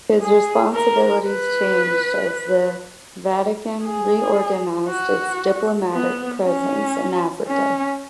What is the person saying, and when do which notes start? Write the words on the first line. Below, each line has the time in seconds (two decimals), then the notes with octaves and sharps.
His responsibilities changed as the Vatican reorganized its diplomatic presence in Africa.
0.22 G#4
0.73 A#4
1.25 B4
3.84 G#4
4.88 F#4
5.92 B3
6.44 C#4
7.47 C#4